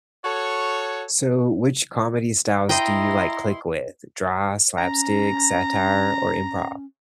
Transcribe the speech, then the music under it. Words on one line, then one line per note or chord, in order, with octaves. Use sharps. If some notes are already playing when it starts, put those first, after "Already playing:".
So which comedy styles do you, like, click with? Dry, slapstick, satire, or improv?
F#4 A4 C#5
E4 D#5 G5 A#5 C6
C#4 A#5